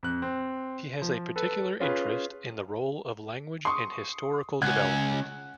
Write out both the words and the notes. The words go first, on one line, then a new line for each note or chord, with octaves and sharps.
He has a particular interest in the role of language in historical development.
F2 F#6
C4
F3
A4 B4
C#4 F4 G#4 B4
C6 C#6 D#6
C#2 C#4 F#5 F#6 G#6